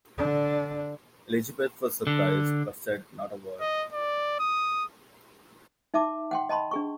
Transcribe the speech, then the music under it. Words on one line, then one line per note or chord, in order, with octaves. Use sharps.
Elizabeth was surprised, but said not a word.
D3 D4
D3
D#5
D5
D#6
D#4 E5 A5 D6
F#5 G5 C6
D#5 A5 B5 C6
D4 G#4 C#6